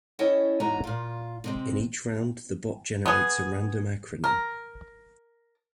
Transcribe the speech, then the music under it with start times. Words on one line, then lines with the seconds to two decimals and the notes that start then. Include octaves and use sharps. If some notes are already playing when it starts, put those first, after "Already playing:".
In each round, the bot generates a random acronym.
0.19 C#4 E4 A4 C#5 D#5 G5
0.60 E2 G#2 F#3 G#3 G#5 A#5
0.84 A#2 F4
1.44 C3 G#3 C4
3.06 B3 G#4
4.24 A#4